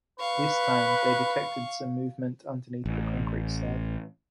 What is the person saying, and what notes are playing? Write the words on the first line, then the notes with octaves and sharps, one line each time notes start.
This time, they detected some movement underneath the concrete slab.
B4 F5 C#6
A1